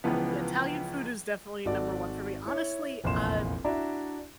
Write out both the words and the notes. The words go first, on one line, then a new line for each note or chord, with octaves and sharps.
yeah, Italian food is definitely number one for me. Honestly, ah,
C#2 E3 F3 B3
G#1 F#4 A4 D5
E4 C#5 E5
F1 A#1 E2 A#3 C6 E7
D4 E4 F#4 D5 E5 A#5